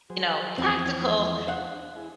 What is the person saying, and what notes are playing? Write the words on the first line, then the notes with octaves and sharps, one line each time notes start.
you know, practical,
F#3 G#4 C5
E2 F3 C4
D4 C5 F5 F#5
E4 G#4